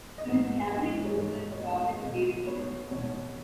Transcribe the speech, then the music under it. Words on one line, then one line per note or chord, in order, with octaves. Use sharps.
She was a cabinet minister in the government of David Peterson.
D#5
G#2 F#5
F#5
G#3 B3 D#5
C#5
G#2 D#5
C#5
G#3 B3 D#5
B2 D#5
B3 C#5
B2 C#5